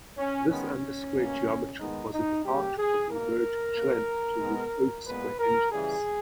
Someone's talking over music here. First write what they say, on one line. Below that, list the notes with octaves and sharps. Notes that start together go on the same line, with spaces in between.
This undersquare geometry was a departure from the emerging trend towards oversquare engines.
C#4
D#3 G#3 B3 C#4
B2 A#3
D#3 G#3 B3 D#4
D#4
C#3 G3 A#3 G4
G#4
B2 A#3 A#4
B2 A#3
B2 G#3 B3
A#2 G#3 B3 B4
A#4
C#3 E3 G3 G#4